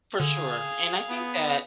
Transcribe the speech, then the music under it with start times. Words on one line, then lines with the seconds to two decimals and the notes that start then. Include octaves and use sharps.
For sure. And I think that
0.20 D3 G#4 F5
1.09 B3